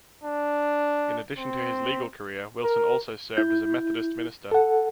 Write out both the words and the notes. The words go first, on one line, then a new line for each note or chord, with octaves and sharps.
In addition to his legal career, Wilson also served as a Methodist minister.
D4
C4
A#4
E4 G6
A4 F#5